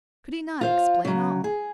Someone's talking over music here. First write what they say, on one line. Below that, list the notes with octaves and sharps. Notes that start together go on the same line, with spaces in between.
Could he not explain all?
F4 C5 F5
C#3 F#3
G#4